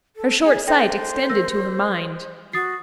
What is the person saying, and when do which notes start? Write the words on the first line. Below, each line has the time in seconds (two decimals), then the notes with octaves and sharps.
Her short sight extended to her mind.
0.16 A4
0.44 G#4
0.67 A4 C5 G5 A#6
1.29 A#4 E6 A#6
2.53 F#4 D#6 A6 C7